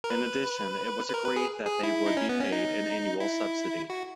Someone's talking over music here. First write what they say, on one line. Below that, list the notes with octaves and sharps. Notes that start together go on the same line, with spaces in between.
In addition, it was agreed that they would be paid an annual subsidy.
A#4
B4
B4
A#4
B4
G#4
G#4
E4
D#4
C#4
B3
C#4
D#4
E4
F#4